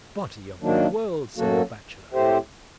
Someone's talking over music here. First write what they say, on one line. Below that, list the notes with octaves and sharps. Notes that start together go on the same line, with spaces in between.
Body of the world, senor bachelor!
D#3 F#3 A#3 D4
F#2 F#3 A#3 F#4 A4
A2 A3 C4 G4 C5